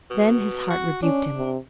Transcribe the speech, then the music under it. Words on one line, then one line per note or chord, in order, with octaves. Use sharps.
Then his heart rebuked him.
B2
F#4
C#4 D4
C3